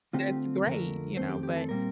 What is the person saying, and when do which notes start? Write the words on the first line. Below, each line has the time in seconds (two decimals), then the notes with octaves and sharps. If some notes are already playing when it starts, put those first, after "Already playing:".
that's great, you know, but,
0.13 D3 A3 C4 F4 G4
0.66 F2 D3 F3 A3 A#4
1.17 F2 D#3 A3 C4 C5
1.29 G4
1.43 G4
1.56 A4
1.69 A#2 G3 C4 A#4